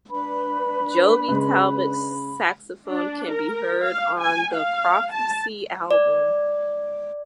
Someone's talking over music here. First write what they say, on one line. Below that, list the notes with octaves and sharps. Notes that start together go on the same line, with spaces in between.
Joby Talbot;s saxophone can be heard on The Prophecy album.
D4 B4 B5
C#3 G#3
D4
A#4
F5
G#5
F5
A5
D5